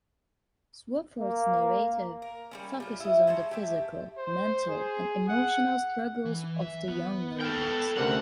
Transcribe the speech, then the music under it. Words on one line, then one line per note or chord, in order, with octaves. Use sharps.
Swofford's narrative focuses on the physical, mental and emotional struggles of the young Marines.
A#3
A#4
G3 B3 C#4
G3 F4
E4 D#5
F3 G#3 C#5 A5
G4 E5 A5
C5
G#4
F#5
E3
E5
B3
A4 G5 F6
D2 C3 C#4 D4 A#4 F#5